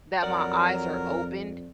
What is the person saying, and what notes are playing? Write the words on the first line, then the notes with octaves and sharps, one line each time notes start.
that my eyes are opened,
F2 F#3 A#4 D5 F#5